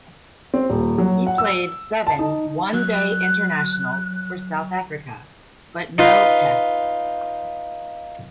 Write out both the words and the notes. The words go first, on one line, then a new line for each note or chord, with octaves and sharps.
He played seven One Day Internationals for South Africa but no Tests.
C4
D#1
F#3
F#5
E6
A5
D#4
F#3 F#6
D#4 F4 B4